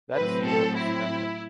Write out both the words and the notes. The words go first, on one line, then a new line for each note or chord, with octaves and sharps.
That is the aim of this amendment.
A2 F#3 C4 B4
A4
E4